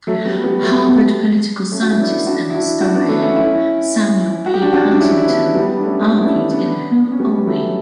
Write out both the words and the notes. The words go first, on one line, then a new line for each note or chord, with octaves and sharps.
Harvard political scientist and historian Samuel P. Huntington argued in Who Are We?
F#3 A3
G3 B3
G3 B3
F#3 A3
A3 C#4
F#4
E4
B3 D4
D4 F#4
E4
D4 F#4
D4 F#4
B3 D4
A3 C#4
A3 C#4
C#4 E4
F#4
G4
D4 F#4
D4 F#4
D4
C#4 E4
E4
B3 D4
G3 B3
D4
A3 C#4
B3 D4
E4
B3 D4
C#4 E4
B3 D4
C#4
G3 B3
F#3 A3